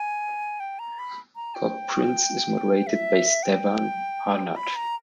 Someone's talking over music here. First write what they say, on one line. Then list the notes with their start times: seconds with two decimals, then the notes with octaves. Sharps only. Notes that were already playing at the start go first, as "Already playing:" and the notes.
CogPrints is moderated by Stevan Harnad.
Already playing: G#5
0.60 G5
0.79 A#5
0.99 B5
1.36 A#5
1.55 G5
2.87 E5
3.43 G5
4.56 B5
4.76 A#5